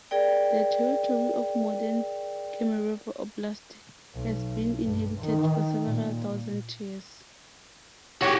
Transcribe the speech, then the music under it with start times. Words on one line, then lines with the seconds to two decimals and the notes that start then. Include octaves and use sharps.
The territory of modern Kemerovo Oblast has been inhabited for several thousand years.
0.11 G#4 A#4 D5 G5
4.15 B1
4.84 G2
5.22 D#3
5.85 A#2
8.22 F#4 G4 C#5